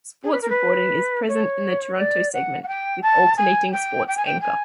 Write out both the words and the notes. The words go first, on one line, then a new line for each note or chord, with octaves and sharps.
Sports reporting is present in the Toronto segment with alternating sports anchor.
G#4
B4
A#4
B4
C#5
D5
F#5
F#5
G5
A5
G#5
G5
G5
G#5
G5
G#5